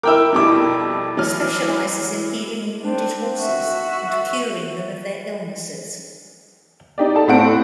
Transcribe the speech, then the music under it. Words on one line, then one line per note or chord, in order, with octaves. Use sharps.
He specialises in healing wounded horses and curing them of their illnesses.
E4 A#4 G5 D6 E6
F2 B2 G3 E4 D6
E3 F#3 F6
C4 D4
F#4 E5
D#4 G4 D5
A4 A5
A2 C4 F#5 D7